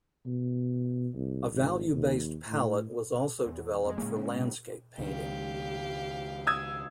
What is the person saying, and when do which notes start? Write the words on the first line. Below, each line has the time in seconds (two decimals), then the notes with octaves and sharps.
A value based palette was also developed for landscape painting.
0.26 B2
1.14 C2
1.52 G#1
1.92 D#2
2.48 A2
3.46 E2
3.85 F2 G#3
3.98 A2 C#3 G#3 A#3
4.98 C#2 D#3 G#3 G4 F5
6.47 D#6 E6 G#6